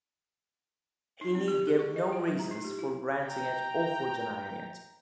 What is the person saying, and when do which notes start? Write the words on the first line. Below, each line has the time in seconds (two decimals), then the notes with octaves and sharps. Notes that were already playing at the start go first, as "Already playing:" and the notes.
He need give no reasons for granting it or for denying it.
1.21 D#4
1.35 C4
1.48 G4
1.67 G#4
1.79 C#6
1.96 D#5
2.12 F4
2.27 F#3
2.39 A#5
2.51 D#4
2.64 G4
2.79 E4
3.25 G5 A#5